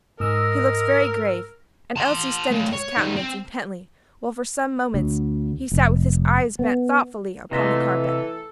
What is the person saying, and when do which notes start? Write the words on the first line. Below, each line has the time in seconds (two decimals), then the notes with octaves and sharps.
He looked very grave, and Elsie studied his countenance intently while, for some moments, he sat with his eyes bent thoughtfully upon the carpet.
0.20 G#2 A#4 D#5 E6
1.97 A5 C6
2.51 A3 F4
2.73 C#5
2.97 D#3 G3
3.16 C4
4.94 D2
5.72 F1
6.59 B3
7.51 C3 E3 A3 F4 D#5 E5
7.98 A4